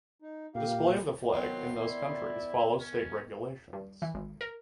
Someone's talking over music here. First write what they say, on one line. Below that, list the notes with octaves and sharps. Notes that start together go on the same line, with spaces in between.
The display of the flag in those countries follows state regulations.
D#4
A#2 A#3 G4 F5
D#3 F#3 B3 C4 C6
E4 D5
C#4
G2
E3
G#1
A#4